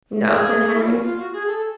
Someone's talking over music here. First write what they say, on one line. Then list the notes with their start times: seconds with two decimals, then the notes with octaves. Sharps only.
"No," said Henry.
0.30 G#4
0.74 E4
0.80 F4
0.89 F#4
1.03 F4
1.18 F#4
1.33 G#4
1.47 A4